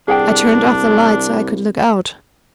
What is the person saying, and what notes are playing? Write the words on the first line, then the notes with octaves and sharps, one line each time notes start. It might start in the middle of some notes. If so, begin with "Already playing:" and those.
I turned off the light so I could look out.
C2 D4 G#4 F#5 G5